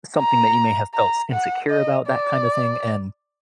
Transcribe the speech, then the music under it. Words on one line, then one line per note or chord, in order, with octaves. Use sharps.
something that you may have felt s insecure about, that kinda thing," and
A#5
A#5
F#5
D#5
D5